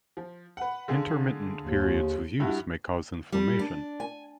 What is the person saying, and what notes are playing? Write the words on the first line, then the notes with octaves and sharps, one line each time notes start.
Intermittent periods of use may cause inflammation.
F3
B4 F#5
D3 F4 G#4
D#2
G2 E4 F#4
G3
D4
G#5